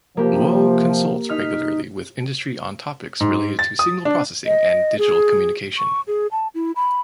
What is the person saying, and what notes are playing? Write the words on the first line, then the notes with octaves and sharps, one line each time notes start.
Luo consults regularly with industry on topics related to signal processing and digital communication.
C3 F3 A#3 G4
D#4 F6 B6
G#2
A6
D#6
D4
D#5
G#4
C#6
G#4
A5
E4
B5